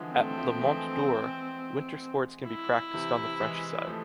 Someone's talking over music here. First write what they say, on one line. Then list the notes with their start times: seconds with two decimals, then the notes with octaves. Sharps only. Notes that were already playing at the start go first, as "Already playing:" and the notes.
At the Mont d'Or, winter sports can be practiced on the French side.
Already playing: D3 E3 F3 G#3
0.14 A3 C4
0.38 F3 A3
0.61 E3 G#3
2.47 E4
2.93 C3 E3
3.40 E3 G#3
3.87 F3 A3